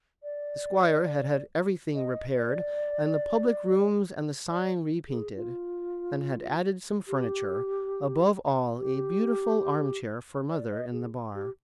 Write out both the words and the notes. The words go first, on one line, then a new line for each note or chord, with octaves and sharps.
The squire had had everything repaired, and the public rooms and the sign repainted, and had added some furniture--above all a beautiful armchair for mother in the bar.
D5
D#5
D5
D5
G#4
F4
G4
G4
D5
D#5
G#4
G4